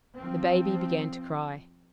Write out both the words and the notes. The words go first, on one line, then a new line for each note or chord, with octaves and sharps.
The baby began to cry.
F3 C4